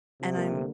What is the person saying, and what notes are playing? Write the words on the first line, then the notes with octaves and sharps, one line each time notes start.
and I'm
C3 G3
A#3
D3